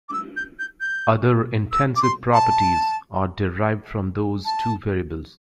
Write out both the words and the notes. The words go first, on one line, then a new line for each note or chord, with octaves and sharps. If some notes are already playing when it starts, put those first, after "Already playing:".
Other intensive properties are derived from those two variables.
D6
E6
G6
G6
G6
E6
D6
C6
A5
A5